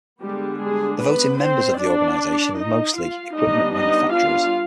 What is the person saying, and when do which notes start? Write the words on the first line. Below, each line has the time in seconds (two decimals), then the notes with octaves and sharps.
The voting members of the organization are mostly equipment manufacturers.
0.22 D3 G3 G#3 B3 D4 G4
0.62 G#3 G#4
1.01 B3 B4
1.40 C4 C5
1.79 D4 D5
2.57 D#4 D#5
2.96 F4 F5
3.35 G3 B3 D4 D#4 D#5
3.75 D#4 D#5
4.14 F4 F5